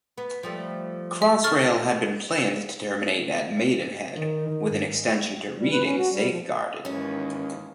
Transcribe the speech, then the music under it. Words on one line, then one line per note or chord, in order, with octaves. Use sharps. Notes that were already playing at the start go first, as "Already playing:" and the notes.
Crossrail had been planned to terminate at Maidenhead, with an extension to Reading safeguarded.
B3
F3 G3 A3
E5
D#2 A4 C#6 F6 A6
D#3
G#2
G3
B4
C#4
F#4
G3
F3
D#2 G#2 D#3 E3 C#4